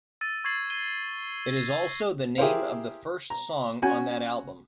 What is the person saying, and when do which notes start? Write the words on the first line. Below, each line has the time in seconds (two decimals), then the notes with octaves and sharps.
It is also the name of the first song on that album.
0.21 E6 A6 D#7
0.44 C#6 G#6 A6 C7 F#7
0.70 G#6 D#7 G7
1.53 A#6 C7
2.38 E4 G4 G#4 A#4 C5 F5
3.30 A#5
3.82 C#4 F#4 G#5